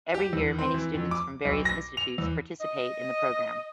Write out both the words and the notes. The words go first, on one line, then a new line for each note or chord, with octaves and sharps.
Every year many students from various institutes participate in the program.
G4
E2
C4
E3
F2
D6
B1
A#6
F7
E2
D#5